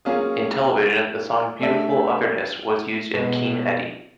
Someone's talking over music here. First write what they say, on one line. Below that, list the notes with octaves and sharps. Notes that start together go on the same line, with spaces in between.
In television, the song "Beautiful Otherness" was used in Keen Eddie.
F#3 A#3 C#4 F4 G#4
A3 D4 G4 C5 E5
B2 G#3 B3